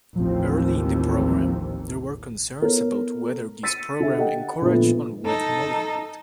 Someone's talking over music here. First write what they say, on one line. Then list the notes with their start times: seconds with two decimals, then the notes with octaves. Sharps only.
Early in the program, there were concerns about whether this program encouraged unwed motherhood.
0.16 A1 D#2 F3 C4
2.62 B3 E4 A4 A#4 C#5
3.63 E6 A6 B6 C#7 D#7
4.00 D3 E5
4.18 G4 A4 D#5 F#5 G5
4.62 A#2 D3 F3 A3 B3
5.25 D#4 A4